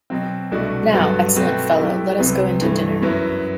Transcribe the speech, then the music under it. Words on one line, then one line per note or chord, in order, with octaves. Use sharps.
Now, excellent fellow, let us go in to dinner!
B2 F#3 C4
C2 B2 A3 D4 F#4
G2 F#3 B3 F#4 A4
B2 A3 C4 F#4 B4
F#3 A3 E4 G4
C2 C3 F#3 B3
G2 E3 A3
F#2 F#3 B3 E4